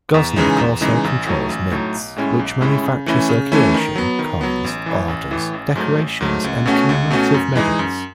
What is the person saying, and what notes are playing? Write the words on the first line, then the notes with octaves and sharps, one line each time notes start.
Goznak also controls mints, which manufacture circulation coins, orders, decorations, and commemorative medals.
E2
C#3 E3 G#3 D#4
E2
C#3 E3 G#3 D#4
A1
A2 F#3 A3 D#4
A1
A2 F#3 A3 D#4
B1
A2 G#3 C#4 E4
B1
A2 G#3 C#4 E4
C#3
E3 A3 C#4 E4
C#3
E3 A3 C#4 E4
D#3
F#3 B3
D#3
F#3 B3
A1
A2 E3
A1
A2 E3
A1
G#2 F#3 A3
A1
G#2 F#3 A3
C#2
B2 A3 C#4 F#4
C#2
B2 A3 C#4 F#4
F#2
E3 G#3 D#4 G#4
F#2